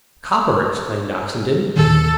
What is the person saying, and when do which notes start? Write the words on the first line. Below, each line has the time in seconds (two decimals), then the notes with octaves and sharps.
"Copper!" exclaimed Oxenden.
1.76 D#2 A#2 D#3 A4